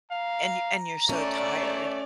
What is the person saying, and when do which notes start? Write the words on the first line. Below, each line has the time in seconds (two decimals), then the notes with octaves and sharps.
and and you're so tired,
0.11 F5 A#5
1.09 A3 C#4 D5